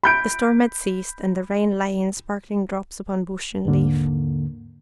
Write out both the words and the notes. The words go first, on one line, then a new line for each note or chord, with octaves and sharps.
The storm had ceased and the rain lay in sparkling drops upon bush and leaf.
B5 G6 D7
D#2 G#2 D3 A#3